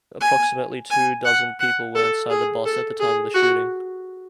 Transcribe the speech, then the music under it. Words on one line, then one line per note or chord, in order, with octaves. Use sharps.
Approximately two dozen people were inside the bus at the time of the shooting.
G#5
G#5
F#5
F#5
A4
G#4
A4
G#4
F#4